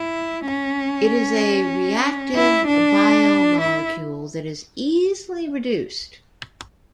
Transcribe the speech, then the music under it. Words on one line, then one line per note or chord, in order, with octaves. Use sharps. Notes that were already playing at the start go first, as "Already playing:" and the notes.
It is a reactive biomolecule that is easily reduced.
Already playing: E4
C#4
E4
D4
E4